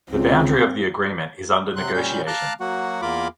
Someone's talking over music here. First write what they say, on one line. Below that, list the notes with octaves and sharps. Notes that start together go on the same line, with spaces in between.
The boundary of the agreement is under negotiation.
C#2 C4
C3 F#3 C6 F#6
A#2 G3 C#4 G6
F5 A5 A#5 D6 F6 F#6
F#3 A#3 F#4 F#5
E2 A#3 F4 A#4 B5 D6